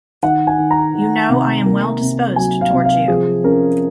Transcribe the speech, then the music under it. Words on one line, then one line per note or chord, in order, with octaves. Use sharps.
You know I am well-disposed towards you.
D#3 F#5
G#5
D#3
A#5
D#3
C3
A#3
C3
F#3 G#5
F5
C3
F5
F3 G#4
C#4 A#4